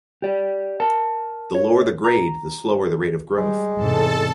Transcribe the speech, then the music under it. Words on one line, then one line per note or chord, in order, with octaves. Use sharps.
The lower the grade the slower the rate of growth.
G4 D5
A#4 A5
C#5
A#5
G3 G#3
E2 G#2 C3 A4 A5